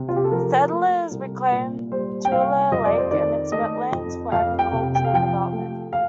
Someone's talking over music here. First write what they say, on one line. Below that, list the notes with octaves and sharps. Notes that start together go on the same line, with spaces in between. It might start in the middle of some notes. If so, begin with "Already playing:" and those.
Settlers reclaimed Tulare Lake and its wetlands for agricultural development.
Already playing: C3
F4
G4
A4
F3 A#4
A3
C2
A#2
G3 C5
G5
C2 F5
F2 D#5
D5
C5
D#3 D5
A3 D#5
F2
F2 F5
G5
C3
G5
F5
F3 G5
A3
F5